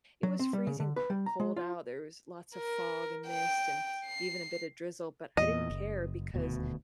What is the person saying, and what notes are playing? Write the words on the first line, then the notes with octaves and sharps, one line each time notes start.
it was freezing cold out, there was lots of fog and mist and even a bit of drizzle, but I didn't care because
F#3
C4
G3
C#3
D3
B4
G3
A#5
G#3
F4
A#4
G5
C7
E2 A#2 D#5
F#1
D#1 D2 B2